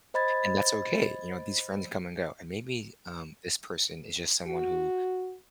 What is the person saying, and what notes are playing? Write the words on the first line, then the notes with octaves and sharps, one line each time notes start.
and that's okay, you know, these friends come and go, and maybe, um, this person is just someone who,
C5 D#5 B5 G#6 A6
F#4